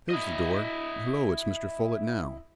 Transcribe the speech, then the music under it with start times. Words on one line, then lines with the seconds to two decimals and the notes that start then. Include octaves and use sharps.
There's the door-- Hullo, it's Mr. Folett now.
0.10 E4 D#5